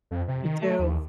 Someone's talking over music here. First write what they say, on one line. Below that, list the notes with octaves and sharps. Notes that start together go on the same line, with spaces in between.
I do.
F2
C3
D#3
A3
D#2